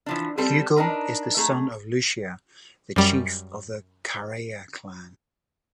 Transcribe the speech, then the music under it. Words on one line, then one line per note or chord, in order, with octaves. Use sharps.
Hugo is the son of Lucia, the chief of the Karaya Clan.
E3 F3 D4
G3 C4 A4 B4 C5
D4 D#4 A#4 B4
A3 G#4 A#5
F#2 G3